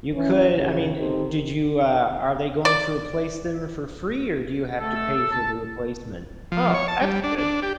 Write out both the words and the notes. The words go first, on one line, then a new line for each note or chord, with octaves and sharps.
you could I mean, eh, did you, uh, are they going to replace them for free or do you have to pay for the replacement? Oh, that's good.
E3 C#4
D#2 A2 C#3
C4 D#4 G4 A4 A#4 C5
D5
A3 A4
E6
A4
A5
F3
C#5
A5
G3
D4
D4
G4